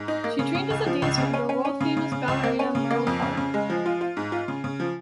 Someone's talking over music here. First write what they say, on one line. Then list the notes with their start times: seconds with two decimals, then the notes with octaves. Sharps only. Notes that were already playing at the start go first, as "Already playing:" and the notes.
She trained as a dancer under world-famous ballerina Merle Park.
Already playing: G#2
0.08 D#4
0.24 A#3
0.39 C#3
0.55 C#3
0.70 C#2
0.86 F3
1.02 C#2
1.18 C#3
1.34 C#4
1.49 C#4
1.65 C#4
1.81 C#3
1.97 C#3
2.12 C#3
2.28 C#2
2.44 A#3
2.59 C#4
2.75 C#3
2.91 A#3
3.07 F2
3.23 C#3
3.37 C#3
3.54 G#3
3.70 F3
3.86 F4
4.01 F4
4.17 G#2
4.32 F4
4.48 C#3
4.64 C#3
4.80 F3